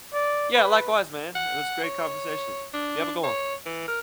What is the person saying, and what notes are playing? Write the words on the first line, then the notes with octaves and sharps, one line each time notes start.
Yeah, likewise, man. It was a great conversation. You have a good one.
D5
B4
F#5
C#5
D4
C#5
E3
A#4